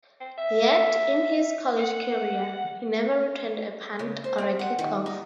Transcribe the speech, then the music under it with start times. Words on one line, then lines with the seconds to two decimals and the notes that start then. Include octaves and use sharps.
Yet, in his college career, he never returned a punt or a kickoff.
0.20 C4
0.38 E5
1.79 F#5
3.99 C#3
4.24 C5
4.38 C4
4.59 F#5
4.79 D#3
5.06 D#4